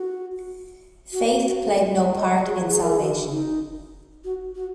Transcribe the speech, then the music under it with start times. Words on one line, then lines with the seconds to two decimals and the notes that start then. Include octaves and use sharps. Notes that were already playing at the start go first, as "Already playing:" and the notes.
Faith played no part in salvation.
Already playing: F#4
1.13 F#4
1.44 F#4
1.76 F#4
1.96 F#4
2.17 D#5
2.38 F#4
2.46 G#4
2.54 F#4
2.69 G#4
2.82 A#4
2.91 G#4
3.00 F#4
3.31 D#4
4.25 F#4
4.56 F#4